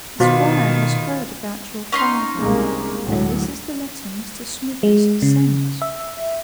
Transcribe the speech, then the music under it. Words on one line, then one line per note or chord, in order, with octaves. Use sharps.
"The Squire has heard about your father, and this is the letter Mr. Smithers sends."
B2 D#3 F4 F#4 C5 B5 D6
C#4 D#4 C6
C2 G#3 A#3
D2 A2 F#3
G#3
C#3
E5